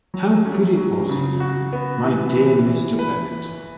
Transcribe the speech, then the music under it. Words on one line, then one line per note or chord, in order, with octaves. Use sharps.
How good it was in you, my dear Mr. Bennet!
F#3
C#4
F#3
C#3
F#4
B3
E3
E3
E3
B4